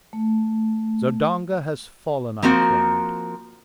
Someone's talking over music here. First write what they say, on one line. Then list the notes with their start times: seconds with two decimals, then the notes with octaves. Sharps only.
"Zodanga has fallen," I cried.
0.13 A3
2.42 F3 A#3 C4 F#4 A#4